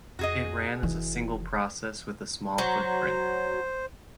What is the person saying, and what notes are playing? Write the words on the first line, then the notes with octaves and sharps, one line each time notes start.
It ran as a single process with a small footprint.
F2 F#4 G#4 D#5
F1 E3
F#3 C5